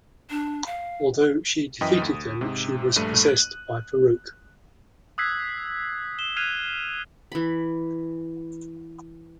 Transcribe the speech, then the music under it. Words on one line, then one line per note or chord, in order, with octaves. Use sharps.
Although she defeated them, she was possessed by Farouk.
D4
F5
F#2 E3 D#5 G5 D#6 B6
D2
G#2 C3
A#1 G2 A3 D#7
F#6
D#6 E6 F#6 G#6 B6 C7
E7 G7
F6 F#6 G#6 C7 D#7 F7
E3 B5